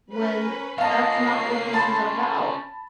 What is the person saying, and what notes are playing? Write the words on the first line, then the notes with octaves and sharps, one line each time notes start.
when that's not what this is about?"
C#4 A#4 B4
A#3 C#4 F4 D#5 F5 A5 C7
A5 B5 C6 A6